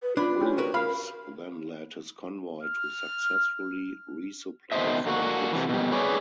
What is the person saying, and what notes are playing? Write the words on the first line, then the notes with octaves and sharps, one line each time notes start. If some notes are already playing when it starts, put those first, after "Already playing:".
Williams then led his convoy to successfully resupply Fort Gibson.
B4
D4 F4 B4
C#4 G4
F#4 A#4 B4
A#4 F5 B5
F6
B2 D#3 D#4 C5 D#5 E5
D3 A#3 F#4
C3 E3
B2 G3
G#4 B4 C#5 D5